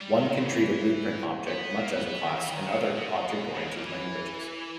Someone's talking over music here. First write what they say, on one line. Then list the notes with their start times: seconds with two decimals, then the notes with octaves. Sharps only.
One can treat a blueprint object much as a class in other object-oriented languages.
0.01 G3
0.16 D#3
0.30 C#3
0.45 E3
1.47 B3
1.77 A#3
1.91 B3
2.07 B3
2.21 D#3
2.35 E3
2.46 E3
2.51 D#3
2.65 C#3
2.80 B2
2.95 B2
3.54 C#3
3.68 G#3
3.76 G3
3.83 E3